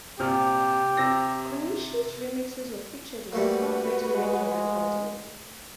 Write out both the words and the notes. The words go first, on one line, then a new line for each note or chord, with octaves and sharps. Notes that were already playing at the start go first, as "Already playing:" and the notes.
Konishi's remixes are featured in a far greater range of recordings.
A#1 C3 G4 F6
C3 E6 A#6
G3 A3 A#3 F#4 B4
G#3